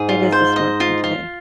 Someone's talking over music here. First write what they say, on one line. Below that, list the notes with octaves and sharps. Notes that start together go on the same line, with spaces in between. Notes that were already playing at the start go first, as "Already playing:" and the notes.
It is a smart thing to do.
Already playing: G#2 G#4
F4
C5
D#5
F4
F4